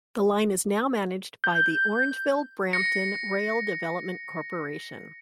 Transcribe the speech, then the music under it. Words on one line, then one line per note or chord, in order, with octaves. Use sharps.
The line is now managed by the Orangeville Brampton Rail Development Corporation.
G6
A#6 C#7